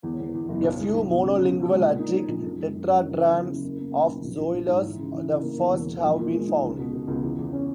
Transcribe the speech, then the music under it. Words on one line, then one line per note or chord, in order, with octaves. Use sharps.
A few monolingual Attic tetradrachms of Zoilos the First have been found.
E2
E2
E2
F#1
B1
G#3
B1
B2
C#3
C#3
C#3
G#3
A#2
D#4
D#4
A#1
F#2
G#3
F#2
F#2
F#1
F#1
E2
C#3
A#3
A#3
A#3
B1
A#1
A#1
A#1
G#2
E3
C#3
E3
C#3
A#3
E2
E1
B2
A#1
A#2
G#3
D#4
C#2
B2
B2
C#2
E2
E2
C#4